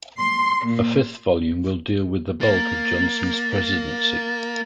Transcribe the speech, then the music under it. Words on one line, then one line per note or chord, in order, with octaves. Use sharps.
A fifth volume will deal with the bulk of Johnson's presidency.
C6
A#2
A#3 A6